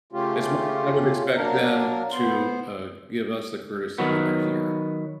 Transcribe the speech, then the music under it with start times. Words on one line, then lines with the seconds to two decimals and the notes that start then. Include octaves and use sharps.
as well, I would expect them to, uh, give us the courtesy when they're here.
0.12 C#3 A3 C#4 F4 G4
1.36 F#3 A#3 D4 A#4
2.11 B3 C5
3.98 D#3 F#3 B3